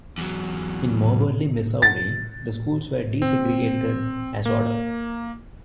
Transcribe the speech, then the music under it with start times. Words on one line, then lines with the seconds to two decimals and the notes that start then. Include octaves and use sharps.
In Moberly, Missouri, the schools were desegregated, as ordered.
0.18 E2 F#3
1.82 A6
3.22 C4
4.46 A#3